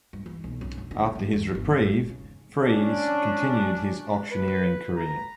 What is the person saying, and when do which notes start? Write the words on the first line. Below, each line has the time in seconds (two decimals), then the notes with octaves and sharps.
After his reprieve, Fries continued his auctioneering career.
0.13 G2
0.26 E3
0.44 B1
0.61 F#2
0.78 D3
0.91 D3
1.15 A1
1.33 E2
1.55 G1
1.72 G#2
1.93 D#3
2.09 C#3
2.60 C#4 D4
4.32 B4
4.96 A#5